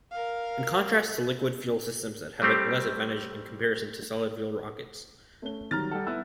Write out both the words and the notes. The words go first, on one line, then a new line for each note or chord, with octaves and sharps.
In contrast to liquid-fuel systems that have less advantage in comparison to solid-fuel rockets.
A#4 F5
G3 A3 C4 G4
A3 C#4 G7
D#3 F#3 G3 A#5 F6 A6
G3 A4 F#5 G5
B3 E4 E6